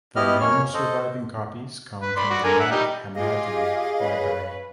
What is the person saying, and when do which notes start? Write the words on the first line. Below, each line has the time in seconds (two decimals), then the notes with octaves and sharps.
The main surviving copies come from the Nag Hammadi library.
0.16 B2 B3 E4 G4 D#5 F6
0.41 F2 A#3 C#4 C#5 F6
0.74 A4 C5 D#5
2.02 B4
2.17 D5 B5 C6
2.30 F#4 D5
2.44 D3 A#4 G#5
2.60 E5 F#5
2.72 G3 D#4 G4
3.15 F4 G4 G#4 D#5 F5
3.99 C#4 B4 C#5